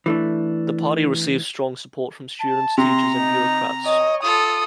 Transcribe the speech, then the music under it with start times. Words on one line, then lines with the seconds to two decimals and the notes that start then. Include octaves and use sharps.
The party received strong support from students, teachers and bureaucrats.
0.06 E3 A3 D4
2.40 A5
2.78 C3 A#5 C6
3.17 D#4
3.86 C#5 D#5
4.23 F4 A4 D#6